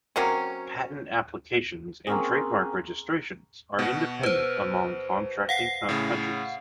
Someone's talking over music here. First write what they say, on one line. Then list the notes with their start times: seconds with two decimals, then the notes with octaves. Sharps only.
Patent applications and trademark registrations are independent among contracting countries.
0.16 F#3 A#3 C4 C#4
2.07 A#3 C4 C#4 G#4
3.79 B2 F#4
4.23 B4 C5
5.49 F5 F#5 C7
5.89 A2 C#3